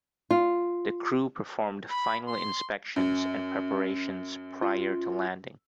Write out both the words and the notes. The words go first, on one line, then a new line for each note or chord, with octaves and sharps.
The crew performed final inspections and preparations prior to landing.
F4
B5
C6
F#2
F4